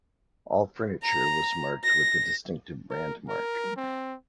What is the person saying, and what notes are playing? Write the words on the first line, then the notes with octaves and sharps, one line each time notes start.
All furniture was marked with the distinctive brand mark.
A#5
A#6
A#4
A#4
C4